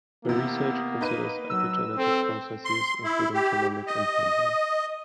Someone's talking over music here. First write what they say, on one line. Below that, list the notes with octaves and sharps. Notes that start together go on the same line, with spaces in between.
Her research considers epigenetic processes including genomic imprinting.
C3 E3 A#3 B3
D#4 B4 D#7
F#3 E6
C4 A4
C6
E4
G4
D#5